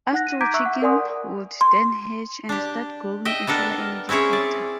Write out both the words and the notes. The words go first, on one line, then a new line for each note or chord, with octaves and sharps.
Astrochicken would then hatch and start growing a solar-energy collector.
D#4 F#5 F#6 A#6
D#7
A#5 D6 G6 G#6 B6 D7
E5 C#6 E6 F#6
F#5
A#4 D5 F#5 G#5 C6 D#6
C6
D4 G4
D#5 E5 G5
B3 D4 A4 A#4
C4 C#4 E4 G#4 C#5
D5